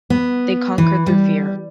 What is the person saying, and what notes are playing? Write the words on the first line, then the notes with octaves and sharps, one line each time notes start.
They conquered their fear.
B3
E3
G3